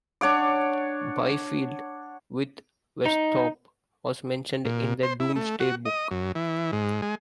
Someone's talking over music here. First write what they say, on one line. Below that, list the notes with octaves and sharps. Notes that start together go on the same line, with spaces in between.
Byfield, with Westhorp, was mentioned in the "Domesday Book".
D4 C#5 F#5 D6
D#4
A#2
C5
E4
A3
F#4
D#5
F#2
E3
G#2
G#3